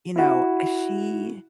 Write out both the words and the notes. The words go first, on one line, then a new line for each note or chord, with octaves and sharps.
you know, uh, she
E4 F#4